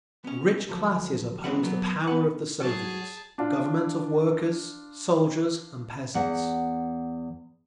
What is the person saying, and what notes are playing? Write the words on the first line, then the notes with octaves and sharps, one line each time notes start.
The rich classes oppose the power of the Soviets--the Government of workers, soldiers and peasants.
B3 C#4
D2 F3 F#3 A3
C#3 E3 G#3 C4 B4 F#5
F#3 A#3 B3
B3 B4 F#5
F#3 G#4 A5
D4 F4
E2 F#5